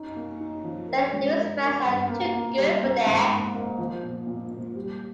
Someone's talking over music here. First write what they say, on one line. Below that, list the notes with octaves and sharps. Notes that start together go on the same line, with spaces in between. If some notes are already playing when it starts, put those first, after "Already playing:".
Saint Louis fans are too good for that.
Already playing: C#4 D#4
A#3
D#4
F3
A#4
G#3
A#4
A#4
G2
A#3
A#3
G3
A#3
G#2
A#3
A#3
F3
A#2
A#2
A#2
G3